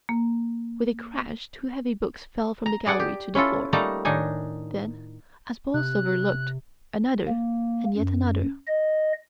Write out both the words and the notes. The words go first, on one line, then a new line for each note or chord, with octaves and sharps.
With a crash two heavy books fell from the gallery to the floor; then, as Borlsover looked, another and yet another.
A#3
A#5
G#4 D5 F#5
G4
C#4 E4 F4 A4
G3 A3 A#3 D#4 A5 A#5
A2 D#3 D4 D#4 G#5
C3 F#6
A#3
F#2
D#5